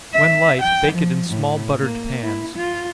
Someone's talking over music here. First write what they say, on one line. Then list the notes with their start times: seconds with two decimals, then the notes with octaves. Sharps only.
When light, bake it in small buttered pans.
0.14 E5
0.62 G5
0.93 F3
1.30 A2
1.82 A#3
2.23 E4
2.57 F4